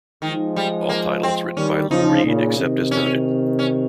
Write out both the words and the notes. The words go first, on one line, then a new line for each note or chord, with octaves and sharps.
All titles written by Lou Reed except as noted.
D#3 F3 G#3
G3
A#3
C4
D#3 G3 C#4
C#3 F3 D#4
A#2 C#3
C3 D#3
C#4
C#4